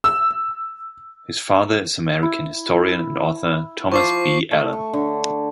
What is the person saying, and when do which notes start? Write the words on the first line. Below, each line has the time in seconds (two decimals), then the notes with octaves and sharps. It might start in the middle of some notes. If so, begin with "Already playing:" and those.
His father is American historian and author Thomas B. Allen.
0.04 E6
2.23 E4
3.92 F3 C#6 D6 C7
4.51 A3
4.73 C#6
4.93 D3